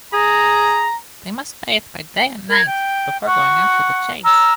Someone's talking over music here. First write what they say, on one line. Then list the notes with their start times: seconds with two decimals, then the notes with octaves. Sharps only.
They must bathe by day and night before going out to the chase.
0.13 G#4 A#5
2.48 A#4 G#6
2.66 G5
3.25 F#5 C#6
4.24 A#5 E6 F6